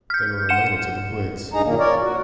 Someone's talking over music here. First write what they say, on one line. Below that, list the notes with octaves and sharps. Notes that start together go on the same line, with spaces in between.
They were related to the Buyids.
F6 G6
F#5 C#7 E7
G2 D#4 G#4 A#5
F#2 A#2 D#3 A#3
A#4 C#5 D5
F#4